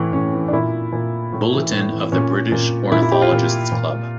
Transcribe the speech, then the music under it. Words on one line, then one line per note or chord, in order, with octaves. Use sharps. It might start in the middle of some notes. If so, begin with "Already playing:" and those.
Bulletin of the British Ornithologists' Club.
Already playing: A2 E3
A2 C#4
E3
D4
A#2 E4
A#2
A2
E3
A2
E3
A#2 C#4
A#2
A#2 E4
E4
G4
F4
A#2
A#2